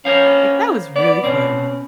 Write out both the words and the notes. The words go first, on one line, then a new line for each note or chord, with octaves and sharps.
"Like, that was really fun!"
C#4 A#4 C5 F5
B3 D5
B2 C4 C#4